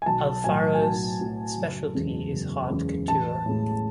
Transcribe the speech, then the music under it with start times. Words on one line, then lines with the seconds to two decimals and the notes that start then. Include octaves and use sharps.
Alfaro's specialty is haute couture.
0.02 G#5
0.06 B1 A5
0.44 A2 F#3 G#5
0.74 G#5
0.82 B1 A5
1.19 A2 F#3
1.58 F#1
1.95 E2 C#3 G#3
2.32 F#1
2.70 E2 C#3 G#3
3.08 A1 A5
3.46 A2 G#3